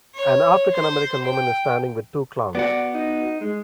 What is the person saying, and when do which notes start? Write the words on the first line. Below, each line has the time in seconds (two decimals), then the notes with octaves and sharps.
An AfricanAmerican woman is standing with two clowns.
0.15 C#5
0.73 C5
1.24 G5
2.55 B3 F#4 D5 F#5
2.94 D#4
3.40 G#3